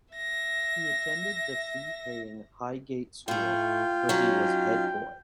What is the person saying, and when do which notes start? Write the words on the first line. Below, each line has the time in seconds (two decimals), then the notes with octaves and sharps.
He attended the fee-paying Highgate School where he was Head Boy.
0.14 E5 A#6
3.28 A2 A3 F4 G5
4.09 F#3 C#4 D#4